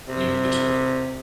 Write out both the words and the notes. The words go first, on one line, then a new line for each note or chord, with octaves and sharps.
You too.
C3